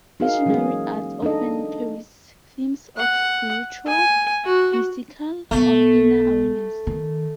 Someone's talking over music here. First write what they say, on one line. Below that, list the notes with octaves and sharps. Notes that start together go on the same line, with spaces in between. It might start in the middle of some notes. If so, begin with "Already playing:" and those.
Visionary art often carries themes of spiritual, mystical or inner awareness.
D#4 F#4 G#4 A#4 F5
E3 F#3 G#3 A#3 C#4 G#4
D4 D#4 A4 D#5
F#5
G#5
F#4
B1 A3 B3
D#3